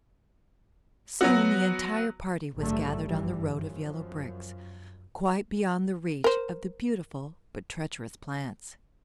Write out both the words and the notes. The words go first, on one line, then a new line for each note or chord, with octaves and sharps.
Soon the entire party was gathered on the road of yellow bricks, quite beyond the reach of the beautiful but treacherous plants.
F#3 B3 F#4
A#1 G#2 D3 F#3 G3 A3
F#1 G2 E3 G3
F#2 F3
A#4 C5